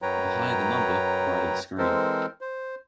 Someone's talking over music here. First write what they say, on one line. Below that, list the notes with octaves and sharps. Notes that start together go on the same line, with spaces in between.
The higher the number, the brighter the screen.
F#2 F#3 B4 C#5 G5 A#5
E3 G#3 C4 A4 A#4 C5
C5